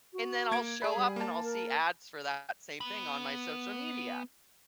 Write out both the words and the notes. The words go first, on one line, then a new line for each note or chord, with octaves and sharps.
and then I'll show up and I'll see ads for that same thing on my social media.
F#4
A#3 G#6 D7
G#4 D5 B5
G3
A#3 A5
A#4
B3 B5